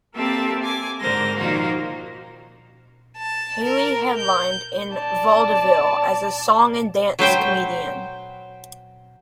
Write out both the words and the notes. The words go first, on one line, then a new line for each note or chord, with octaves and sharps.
Haley headlined in vaudeville as a song-and-dance comedian.
A#3 C4 G4 A4 E5 A5
G#5 D6
G#2 D3 A#4 C5 A#6
D#3 F3 A#3 F4 F#4 C5
A5
A#4
G6
D5 A5
F#3 B4 C5 G5